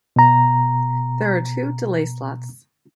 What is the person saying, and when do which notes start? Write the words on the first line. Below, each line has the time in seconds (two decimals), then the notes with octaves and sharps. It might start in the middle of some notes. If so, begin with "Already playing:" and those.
There are two delay slots.
0.16 B2 A#5